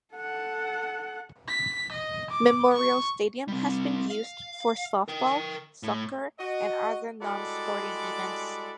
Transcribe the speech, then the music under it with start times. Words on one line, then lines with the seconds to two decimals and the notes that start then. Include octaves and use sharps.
Memorial Stadium has been used for softball, soccer, and other non-sporting events.
0.14 A4 F#5
1.48 B6
1.92 D#5
2.31 D6
2.73 C#6
3.48 G3 C4
4.10 F5
5.08 A#4 G5
5.83 A2
6.40 F#4 D#5
7.22 G3 G#3 E4 F#4 A4 D5